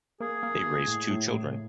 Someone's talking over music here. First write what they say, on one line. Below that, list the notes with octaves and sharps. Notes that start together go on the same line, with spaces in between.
They raised two children.
A#3 G#4
A#3
A#3
A2
A2
A2